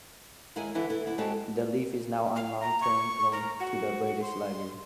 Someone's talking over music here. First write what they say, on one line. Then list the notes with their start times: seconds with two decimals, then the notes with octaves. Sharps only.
The leaf is now on long-term loan to the British Library.
0.56 D#2 G#3 E4 A#4 G#5
0.74 D3 E3 E4 A4
0.90 E4 A4 B4
1.05 D2 E4
1.18 G#3 C4 F#4 G4 A4 A5
2.36 F5
2.61 A#5
2.81 C#6
3.32 A#4
3.60 F#4
4.22 C6